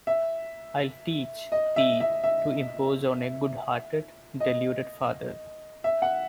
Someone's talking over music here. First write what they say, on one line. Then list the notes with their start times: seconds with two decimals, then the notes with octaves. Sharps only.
I’ll teach thee to impose on a good-hearted, deluded father.
0.07 E5
1.52 D#5
1.76 E5
2.00 E5
2.24 E5
4.40 D#5
5.84 E5
6.02 F#5